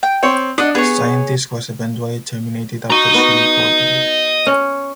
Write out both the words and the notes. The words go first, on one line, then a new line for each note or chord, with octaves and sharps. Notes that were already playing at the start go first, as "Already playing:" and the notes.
The scientist was eventually terminated after she reported it.
G5
C4 C#5
D4 D#5 F#5
B3 G#4 C#5
F#4 D#5 A#5
B3 F#4
C#4